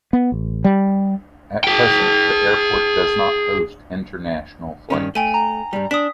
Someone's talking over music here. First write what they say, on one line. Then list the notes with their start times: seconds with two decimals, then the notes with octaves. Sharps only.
At present the airport does not host international flights.
0.13 B3
0.32 A1
0.64 G3
1.64 G#4 G5
4.90 G2 D#3 C#4
5.15 A3 G5 G#5 D#7
5.34 A#5
5.73 G2 G3
5.91 D4 D#6 B6